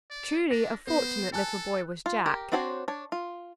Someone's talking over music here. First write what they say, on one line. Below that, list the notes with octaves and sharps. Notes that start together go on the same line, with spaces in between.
Truly a fortunate little boy was Jack!
D5
D4 A#6
B3 C5
A4 G#5 A5 F#6
F4
G4 A#4
C4 D4 F#4 C5 C#5
D4 C#5
F4